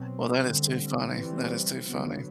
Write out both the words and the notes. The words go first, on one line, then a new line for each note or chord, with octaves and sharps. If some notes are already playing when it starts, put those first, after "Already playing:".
Well, that is too funny, that is too funny.
Already playing: B2 F#3 C4
D3 G3 C4
E3 G3 C4
D3 F#3 B3